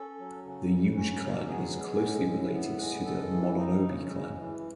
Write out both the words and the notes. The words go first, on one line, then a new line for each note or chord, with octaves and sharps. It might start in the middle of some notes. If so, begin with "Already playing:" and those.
The Yuge clan is closely related to the Mononobe clan.
Already playing: C#4 A4
F#3
C#3
C#3
C#4
F#3
B3 G#4
G#3
A2
A2
B3
G#3
G#3 A4
E3
D#4
C#3
G#3
E3